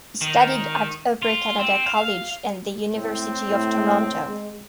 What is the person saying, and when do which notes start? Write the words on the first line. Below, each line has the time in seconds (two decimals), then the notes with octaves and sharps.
He studied at Upper Canada College and the University of Toronto.
0.22 D#3
1.22 F4
1.59 C4
1.86 F5
2.94 A2 C4
3.49 A2
4.28 G#3